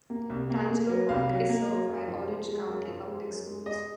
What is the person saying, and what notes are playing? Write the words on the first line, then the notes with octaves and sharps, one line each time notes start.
Tangelo Park is served by Orange County Public Schools.
A#3
C2
A#3
A#3
F#3
C2 F5
F#3
A#3
F#3
F#2
F3
G#3
G#3
F#2
F3
G#3
F#2
G#3
G#3 D#5